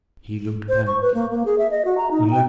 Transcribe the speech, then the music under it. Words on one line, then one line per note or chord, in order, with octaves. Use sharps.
He looked back, and lo!
C5
C#6
B4
A#3
A#3
G#4
E5
D#5
F#4
A#5
D#4
G5